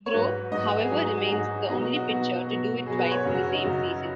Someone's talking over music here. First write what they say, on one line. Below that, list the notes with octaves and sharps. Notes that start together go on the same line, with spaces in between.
Grove, however, remains the only pitcher to do it twice in the same season.
C#5
G#2 F#3 B4
G#2 F#3 D#5
F#4
G#4
G#2 F#3 D#4
D#4
G#4
G#2 F#3
B2 F#3 D#4
D#4
F#4
B2 F#3
B2 F#3
B2 F#3 G#4
B4
C#5
F#2 C#3 F#3 G#4
F#4
C#4
D#4
F#2 C#3 F#3